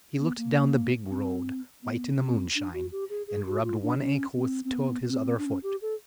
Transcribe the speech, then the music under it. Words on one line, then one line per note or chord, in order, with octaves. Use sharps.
He looked down the big road, white in the moonshine, and rubbed one ankle with the toe of his other foot.
B3
A#3
C4
B3
C4
D4
F#4
G4
G#4
G#4
F#4
F4
D4
C#4
C4
C4
B3
C4
D4
C#4
G4
A4